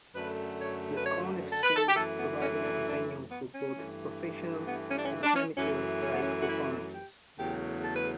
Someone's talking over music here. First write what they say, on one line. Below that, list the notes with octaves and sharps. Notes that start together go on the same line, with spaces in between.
The Corn Exchange providing a venue for both professional and amateur live performances.
F#2 D3 A3 B4
C#5
B4
C#5
A4
B4
A4
G4
F#2 E3 A3 A4
B3
C#4
D4
D4
C#4
B3
C#4
G2 E3 A3
B3
C#4
D4
C#4
D4
C#4
F#2 E3 A3 C#4
C#4
B3
C#4
F#4
E4
G4
E2 C#3 F#3 A3 G4
A4
B4